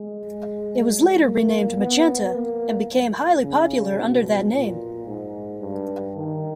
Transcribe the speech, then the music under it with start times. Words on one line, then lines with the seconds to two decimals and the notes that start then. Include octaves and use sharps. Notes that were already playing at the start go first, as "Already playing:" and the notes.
It was later renamed magenta, and became highly popular under that name.
Already playing: G#3
1.24 A#3
1.79 B3
2.34 A#3
3.43 C#3
3.97 B2
4.53 A#2
5.06 G#2
5.61 G2
6.16 D#3